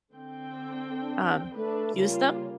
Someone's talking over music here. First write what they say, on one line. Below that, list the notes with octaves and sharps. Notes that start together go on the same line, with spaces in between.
um, use them-
D3 C4 G5
D4
A3 D4 B4
C#3 G3 A#3 F4